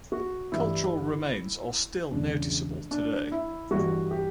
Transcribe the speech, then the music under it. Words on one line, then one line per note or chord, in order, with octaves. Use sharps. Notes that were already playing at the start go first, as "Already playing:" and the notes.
Cultural remains are still noticeable today.
F#4
A1 G2 E3 G3 E4
E1 E2 C#3 D4
D4
E4
A1 G2 E3 G3 F#4
G4